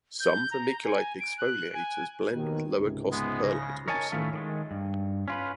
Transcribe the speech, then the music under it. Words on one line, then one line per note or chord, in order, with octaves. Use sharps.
Some vermiculite exfoliators blend with lower cost perlite also.
G6
A#5
G#5
D7
F#6
G#5
D#2 B2 D#3
C#2 G#2 C3
G#3 B3
C#3 A#6
A#4 C#5 D#5 G#5 A5
A2 D#3 A3 C#4 F4
D#3 G3 G#3
G2
C#4 F4 B4